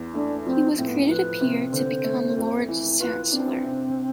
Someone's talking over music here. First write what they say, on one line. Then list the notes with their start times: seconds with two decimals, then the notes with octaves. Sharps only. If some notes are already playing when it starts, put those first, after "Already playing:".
He was created a peer to become Lord Chancellor.
Already playing: E2
0.14 A3 D4
0.46 F3 C4
0.78 A2 C4
0.88 B3
0.98 C4
1.09 F3 B4
1.41 C3
1.72 D3 C5
2.04 A3
2.37 F2
2.68 E3
3.00 F4 B4
3.31 C4 D4
3.64 C3